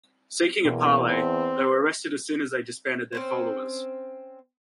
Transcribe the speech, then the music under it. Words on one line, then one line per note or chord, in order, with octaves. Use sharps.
Seeking a parley, they were arrested as soon as they disbanded their followers.
E2 B2 A#3
C4 B4
C4 C#4 C5